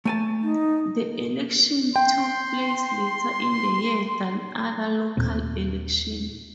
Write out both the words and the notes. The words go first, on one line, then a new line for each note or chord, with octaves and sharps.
The elections took place later in the year than other local elections.
A3 G#5 A5
D#4
G5 C6
D#2 A#2 C4